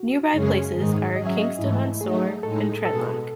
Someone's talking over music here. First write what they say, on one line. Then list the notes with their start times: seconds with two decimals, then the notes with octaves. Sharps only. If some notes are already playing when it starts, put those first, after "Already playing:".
Nearby places are Kingston on Soar and Trentlock.
Already playing: F#4
0.31 F#2 C#3 G#3 C#4 G#4
0.74 G#2 D#3 G#3 D#4 G#4
1.16 F#3 C#4 G#4 D#5
1.27 E5
1.37 D#5
1.58 G#2 E3 A3 E4
2.01 F#3 A3 D#4 G#4
2.43 A2 G#3 D#4 A4
2.85 B2 G#3 B3 A4